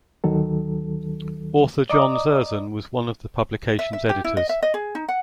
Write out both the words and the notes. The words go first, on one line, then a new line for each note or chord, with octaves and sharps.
Author John Zerzan was one of the publication's editors.
D2 D#3 F#3 A4
D5 D#5 A#5 D6 D#6
E5
E5
G4
E4
D#5
E5
D#5
G#4
D#4
F#5